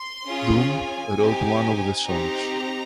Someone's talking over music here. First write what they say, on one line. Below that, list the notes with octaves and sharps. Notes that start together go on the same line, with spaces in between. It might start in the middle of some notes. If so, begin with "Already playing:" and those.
Doom wrote one of the songs.
Already playing: C6
C#4 F4 G#4
G#5
C4 D#4 G4
C4 D#4 G4 A#5